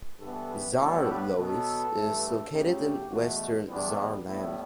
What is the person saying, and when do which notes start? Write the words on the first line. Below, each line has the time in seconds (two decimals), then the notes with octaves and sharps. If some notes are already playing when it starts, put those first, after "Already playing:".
Saarlouis is located in western Saarland.
0.20 G2 E3 B3 A4
0.49 B4
0.78 A2 G3 B3 A4
1.07 B4
1.36 B2 F#3 B3 A4
1.94 G2 E3 A3
2.23 A4
2.52 C#3 F#3 A3 G4
3.10 E2 B2 A3 F#4
3.68 E2 D3 G3 B3 D4
4.26 A2 G3 B3 E4